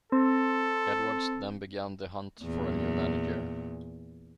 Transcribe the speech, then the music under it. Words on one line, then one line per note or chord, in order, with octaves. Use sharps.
Edwards then began the hunt for a new manager.
C4 A4
E2 A#2